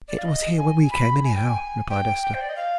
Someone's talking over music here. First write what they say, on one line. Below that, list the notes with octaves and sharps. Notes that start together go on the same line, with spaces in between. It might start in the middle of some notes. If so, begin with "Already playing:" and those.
"It was here when we came, anyhow," replied Esther.
D5
F5
D#5
G#5
G#5
B5
G#5
G5
G#5
G5
G5
C5
D5
D#5
F5